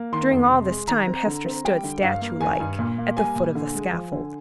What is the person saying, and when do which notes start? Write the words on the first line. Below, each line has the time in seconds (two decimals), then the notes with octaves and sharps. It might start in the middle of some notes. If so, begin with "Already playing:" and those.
During all this time, Hester stood, statue-like, at the foot of the scaffold.
Already playing: A#3
0.12 D#3 C6
0.31 F2
0.50 C3
0.69 G#3
0.88 D#3 A#5
1.07 C4
1.26 D3
1.46 C4
1.64 G3 G5
1.84 D3
2.03 G2 F5
2.21 A#3
2.40 D#3 G#5
2.60 G2
2.79 A#2
2.98 A#3
3.17 G3 G#5
3.36 A#2
3.55 D3
3.75 G#3
3.93 F3
4.12 D3